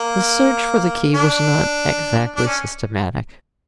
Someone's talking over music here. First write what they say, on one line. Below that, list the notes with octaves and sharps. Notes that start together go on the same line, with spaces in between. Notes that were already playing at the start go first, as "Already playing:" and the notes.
The search for the key was not exactly systematic.
Already playing: A#3
D4
D4
C#4